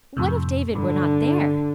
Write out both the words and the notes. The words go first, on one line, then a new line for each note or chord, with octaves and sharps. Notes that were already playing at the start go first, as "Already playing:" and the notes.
What if David were not there!
F2 A2 C3
G2 D3